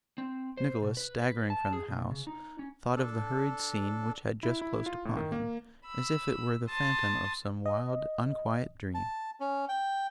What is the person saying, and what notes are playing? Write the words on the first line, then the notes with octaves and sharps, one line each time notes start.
Nicholas, staggering from the house, thought of the hurried scene which had just closed upon him, as if it were the phantom of some wild, unquiet dream.
C4
C5
B2
B4
B4
A5
G#4
B2
C#3
D#4
C#4
D4 A4
E4
E4
F4
A2
D#3
A#3
B5 E6
A5 C6 D#6
D#5
A5
C#4
G5